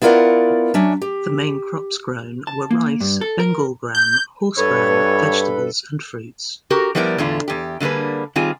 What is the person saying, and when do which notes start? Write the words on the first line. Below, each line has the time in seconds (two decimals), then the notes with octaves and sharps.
The main crops grown were rice, Bengal gram, horse gram, vegetables and fruits.
0.02 B3 E4 F4 A#4 D5 F#5
0.74 F#3 C#4 D4 E5
1.02 G4
2.47 A5
2.71 A#3
3.01 G2
3.21 A4
3.40 A#4
3.95 G6
4.57 G2 A4 B4 C#5
6.70 F#4 G4 A#4
6.95 F3 G3 B3 E4 A#4 D5
7.18 E2 A2 D3 A3 F4
7.48 E2 G4
7.80 D3 G3 A#3 G#4 B4
8.36 D#3 G3 C4 F4 G#4 G#5